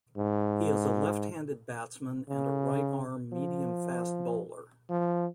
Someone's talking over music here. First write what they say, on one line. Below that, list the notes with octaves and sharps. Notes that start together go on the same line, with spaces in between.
He is a left-handed batsman and a right-arm medium-fast bowler.
G#2
C#3
F3
F3